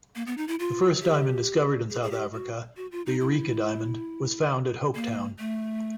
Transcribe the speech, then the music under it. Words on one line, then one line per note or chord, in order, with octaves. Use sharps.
The first diamond discovered in South Africa, the Eureka Diamond, was found at Hopetown.
A#3
B3
D#4
E4
F4
G4
G#4
G#4
G4
F#4
F#4
F4
D#4
E4
A#3
A3